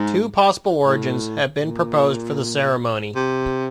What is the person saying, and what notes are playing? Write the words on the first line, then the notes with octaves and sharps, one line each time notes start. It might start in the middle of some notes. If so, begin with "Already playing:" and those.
Two possible origins have been proposed for the ceremony.
Already playing: G#2
A2
A#2
C3